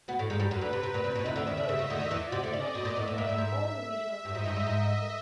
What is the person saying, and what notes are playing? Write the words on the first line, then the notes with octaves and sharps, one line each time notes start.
"The Golden Ghost" is the first collection comprising all-original stories.
B2 B3
A2 A3
G#2 G#3
G2 G3 B4
F#2 F#3
D2 D3
C3
C3
A#2
C3
B2
C3 E5
D2 D3
D#2 D#3
C#3
C#3 D#5
C#3
D2 D3
D#2 D#3
E2 E3 D5
C3
D2 D3
C#3 D#5
B2
A#2
A2 E5
A2
A#2
A2
G#2
G2 D#5
G#2
G2
G#2
G#2